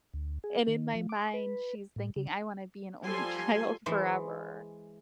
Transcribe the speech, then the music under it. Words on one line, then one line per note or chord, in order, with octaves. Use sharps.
and in my mind, she's thinking, "I wanna be an only child forever."
D2
G#4
D#3
F3
D6
B4
A2
C#3
F3 G3 A4 G#5 C6
E3 G#3 C5